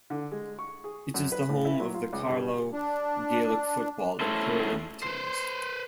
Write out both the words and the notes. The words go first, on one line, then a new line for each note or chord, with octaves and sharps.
It is the home of the Carlow Gaelic football and hurling teams.
D3
G#3
C#6
G#4
F#2
B4
A2
E4
F#3
F4
C#2
G2
D4
A3 C#4 E4 A4 C5
B4 C5